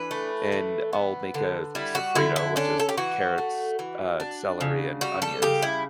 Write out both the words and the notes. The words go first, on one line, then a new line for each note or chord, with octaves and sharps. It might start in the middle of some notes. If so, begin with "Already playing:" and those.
and I'll make a sofrito, which is carrots, uh, celery, and onions,
Already playing: E3 D4 B4
A3
E3
B3
D3
G3 E4
F#4
D3 E4
E4
C#4 D4
A4
G4
E3 F#4
A3
E3
D4
C#3
G3 F#4
A4
C#3 G4
E4